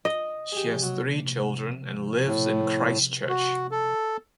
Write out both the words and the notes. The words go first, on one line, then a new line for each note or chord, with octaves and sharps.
She has three children and lives in Christchurch.
D#5
G4 G#4
F#3
A2
F#4
A4